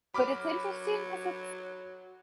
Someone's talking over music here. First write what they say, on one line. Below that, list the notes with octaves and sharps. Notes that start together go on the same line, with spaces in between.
But it's interesting 'cause it's
F#3 B5 D6 F6